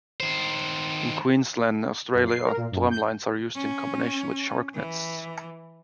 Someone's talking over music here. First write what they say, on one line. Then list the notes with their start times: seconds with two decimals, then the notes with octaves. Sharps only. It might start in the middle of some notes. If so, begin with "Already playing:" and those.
In Queensland, Australia, drum lines are used in combination with shark nets.
0.20 D#3 C5
2.14 F#2
2.27 C7
2.45 A#4
2.57 A#2
2.71 F#2
2.91 G6
3.56 C#4
4.75 E3